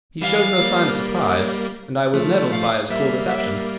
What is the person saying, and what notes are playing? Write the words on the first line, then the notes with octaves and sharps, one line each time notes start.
He showed no sign of surprise, and I was nettled by his cool reception.
E3 G3 F5
G3 A#3
F3 A3
F5
G3 A#3 E5
E5